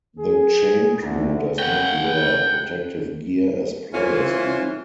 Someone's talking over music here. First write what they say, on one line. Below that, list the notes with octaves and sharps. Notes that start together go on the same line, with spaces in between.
The chain crew does not wear protective gear as players do.
G#4
D2
F#5 G5
E3 C4 C#4 E4 F4